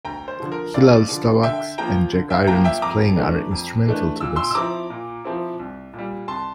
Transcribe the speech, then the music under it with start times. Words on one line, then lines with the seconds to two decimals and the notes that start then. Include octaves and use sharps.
Hillel Slovak's and Jack Irons's playing are instrumental to this.
0.05 D2 G5 A#5
0.28 C5
0.40 D3 F3
0.52 A#4
0.74 D2 D5 F5
1.09 D3 F3
1.43 D3 E5 G5
1.78 F3 A#3 F4 G5 A#5
2.12 D3
2.30 E5 G5
2.47 F3 A#3 F4 G5 A#5
2.64 E5 G5
2.82 F2 A#5 D6
3.16 E3 A3 D4
3.51 F2
3.86 E3 A3 D4
4.20 A#2 E6
4.36 C6 E6
4.51 E6
4.55 F3 C4 E4 A#5 D6
4.90 A#2
5.24 F3 C4 E4
5.59 C2
5.94 A#2 G3
6.28 C2 A5 C6